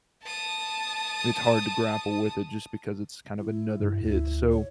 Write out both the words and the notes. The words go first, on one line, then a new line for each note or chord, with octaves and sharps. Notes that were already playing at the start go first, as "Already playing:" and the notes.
it's hard to grapple with it just because it's kind of another hit, so
A5 D#6
E4
G2
D2 E4
C#5